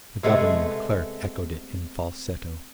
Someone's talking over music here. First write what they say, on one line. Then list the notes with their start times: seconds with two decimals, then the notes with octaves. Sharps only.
The government clerk echoed it in falsetto.
0.23 C3 G#3 A3 B3